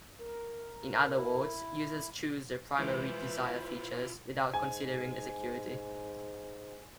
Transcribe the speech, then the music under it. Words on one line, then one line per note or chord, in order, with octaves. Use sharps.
In other words, users choose their primary desire features without considering the security.
A#4
E4
E3 G#3 E4 F4 B4 C5
G#2 G#5